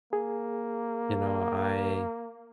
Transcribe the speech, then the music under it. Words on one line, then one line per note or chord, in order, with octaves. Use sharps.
you know, I
A#3 G#4